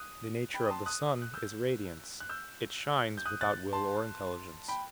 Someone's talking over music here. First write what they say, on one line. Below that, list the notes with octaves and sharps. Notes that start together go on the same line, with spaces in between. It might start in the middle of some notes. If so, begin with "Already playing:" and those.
The nature of the sun is radiance; it shines without will or intelligence.
Already playing: D#6 F#6
G5 B5
D#6
A5 C6
D#6 F#6
F#6
E6 G6
F#6
E6 G6
G6
D#6 F#6
F#6 A6
A5 C6
G5 B5